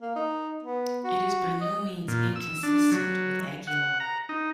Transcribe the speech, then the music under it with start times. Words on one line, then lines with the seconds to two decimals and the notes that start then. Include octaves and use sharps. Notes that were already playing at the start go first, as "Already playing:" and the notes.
It is by no means inconsistent with "Aguilar".
0.02 A#3
0.16 D#4
0.63 B3
1.04 F#4
1.61 D#5
2.08 A#2
2.36 E6
2.63 D4
2.92 F#3
3.67 F#5
4.00 A#5
4.29 D#4